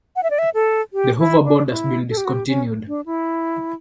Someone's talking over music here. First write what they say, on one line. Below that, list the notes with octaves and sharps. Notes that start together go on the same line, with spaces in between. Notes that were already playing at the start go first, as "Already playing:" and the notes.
The hoverboard has been discontinued.
F#5
E5
D5
E5
A4
G4
E4
D4
E4
A4
G4
F#4
G4
C#4
D4
E4